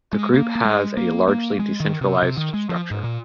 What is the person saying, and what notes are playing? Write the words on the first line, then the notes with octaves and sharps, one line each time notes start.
The group has a largely decentralised structure.
G#3
A#3
A#3
G#3
A#3
A#3
G#3
D#3
C3
C3
D#3
G#3
F3
G#2
A#2